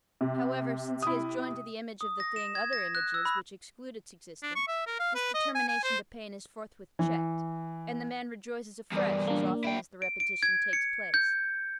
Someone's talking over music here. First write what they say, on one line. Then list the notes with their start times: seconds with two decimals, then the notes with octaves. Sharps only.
However, since he has joined to the image of the thing other images, which exclude its existence, this determination to pain is forthwith checked, and the man rejoices afresh as often as the repetition takes place.
0.21 C3
1.02 E4 D#6
2.01 D#6
2.20 A#6
2.36 E7
2.55 G#6
2.73 A#6
2.95 F#6
3.14 E6
3.25 B5
4.43 D4
4.55 C#6
4.68 E5
4.86 A#4
4.99 F5
5.15 B4
5.34 D#5
5.55 G#5
5.68 G#5
5.84 C5
6.99 E3
8.92 E2 G2 A#4 D5
9.27 A#3 D4
9.64 E4 G5
10.02 D7
10.20 D7
10.43 G#6
10.73 C#7
11.14 G6